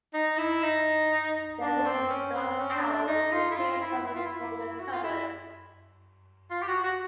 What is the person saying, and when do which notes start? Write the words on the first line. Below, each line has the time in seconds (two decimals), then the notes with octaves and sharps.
There was a stuffed owl in a case over a corner cupboard.
0.14 D#4
0.38 E4
0.63 D#4
1.61 D4
1.86 C4
2.10 C#4
2.35 C4
2.59 C#4
2.75 D4
2.92 D4
3.08 D#4
3.32 F4
3.51 E4
3.57 F4
3.72 F4
3.81 E4
4.06 E4
4.16 F4
4.26 E4
4.80 F#4
4.92 F4
5.04 E4
6.51 F4
6.63 G4
6.68 F#4
6.84 F#4